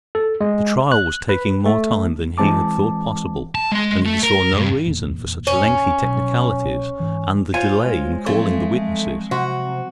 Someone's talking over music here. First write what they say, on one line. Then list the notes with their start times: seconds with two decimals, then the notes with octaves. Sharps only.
The trial was taking more time than he had thought possible, and he saw no reason for such lengthy technicalities and the delay in calling the witnesses.
0.15 A4
0.41 G#3
0.92 F#6
1.29 B4
1.66 A3
2.38 E3 G#3 C4 A5 D6
3.55 A5
3.72 G#3 C6
4.06 A3
4.23 A#4
4.54 G2
4.86 F1 E2 A#2
5.47 C#4
6.02 C2 B2 F#3
7.00 G#2 E3
7.54 F4 C5 C#5 G#5
7.84 G#3
8.26 F3 F#3 A3 C4
9.31 C3 F#4 C6